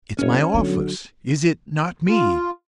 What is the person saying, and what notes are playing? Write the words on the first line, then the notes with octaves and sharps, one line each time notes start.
It's my office, is it--not me?
F#1 C#4 C#5
D3 F#3 G3 B3 F#4
F4